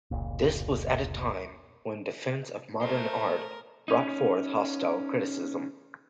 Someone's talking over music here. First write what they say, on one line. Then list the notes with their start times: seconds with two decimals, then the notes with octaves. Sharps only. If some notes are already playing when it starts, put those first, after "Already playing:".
This was at a time when defense of modern art brought forth hostile criticism.
0.11 F1 C#2 A#2
2.81 A3 A#4 C5
3.88 C#4 D#4